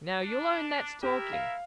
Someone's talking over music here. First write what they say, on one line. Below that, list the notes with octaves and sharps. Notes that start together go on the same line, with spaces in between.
Now, you'll own that's talking.
D4
E4 G4 A#4 E5
F5